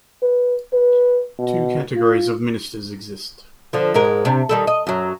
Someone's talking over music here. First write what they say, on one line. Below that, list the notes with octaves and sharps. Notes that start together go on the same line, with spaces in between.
Two categories of ministers exist.
B4
B4
B2
F4
D3 F3
G#2 G#3 A#4
C3 D4
D#3 G3 A4
D#5
F#2 F#3